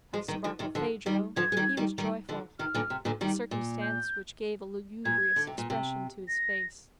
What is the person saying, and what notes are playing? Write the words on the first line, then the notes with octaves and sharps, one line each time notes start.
As to Barkilphedro, he was joyful--a circumstance which gave a lugubrious expression to his face.
F3 G#3
D#3 G3
D3 F3
C3 D#3
D3 F3
D#3 G3
D3 F3 G#6
G#3
D#3 G3
D#3 G3
D#3 G3
D3 F3
C3 D#3 F6
A#2 D3
C3
A#2 D3
D#3 G3
A#2
G6
A#2 G#6
D3
C3
A#2
C3
A#6